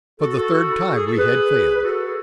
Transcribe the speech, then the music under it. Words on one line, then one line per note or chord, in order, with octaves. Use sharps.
For the third time we had failed.
F#4 A4
F#4 A4
F#4 A4
E4
F#4
G#4
A4
G#4 B4
B4
F#4 A4
G#4